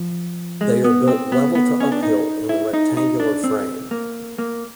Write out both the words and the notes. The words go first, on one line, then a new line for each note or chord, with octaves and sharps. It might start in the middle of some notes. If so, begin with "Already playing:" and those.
They are built level to uphill in a rectangular frame.
Already playing: F3
G#3
B3
C4
B3
B3
C#4
D4
D#4
E4
D#4
D#4
D4
C4
A#3
A#3